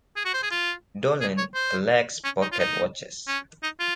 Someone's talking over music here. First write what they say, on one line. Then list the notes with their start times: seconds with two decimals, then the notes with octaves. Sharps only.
Dolan collects pocket watches.
0.16 G#4
0.25 F#4
0.34 C5
0.43 G#4
0.51 F4
1.21 G#4
1.38 C#5
1.55 C5
2.24 C#4
2.42 D#4
2.52 F4
2.59 D#4
3.27 C#4
3.63 D#4
3.80 F4